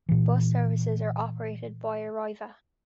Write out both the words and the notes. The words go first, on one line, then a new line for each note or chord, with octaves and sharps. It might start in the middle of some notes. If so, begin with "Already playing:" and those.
Bus services are operated by Arriva.
A#2 E3